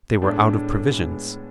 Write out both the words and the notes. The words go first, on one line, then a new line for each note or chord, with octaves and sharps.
They were out of provisions.
A2 G#3 B3 D4
A2 G#3 B3